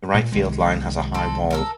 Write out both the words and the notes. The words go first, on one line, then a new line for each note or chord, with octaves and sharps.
The right field line has a high wall.
A#2
C2 D#3 G#3
C4 A4
A4 A#4 E6